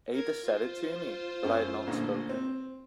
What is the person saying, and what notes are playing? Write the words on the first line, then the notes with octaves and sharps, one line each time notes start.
Ada said it to me, but I had not spoken.
A#4 G#6
F4 C5
F#2
A1 A#2 D3
C4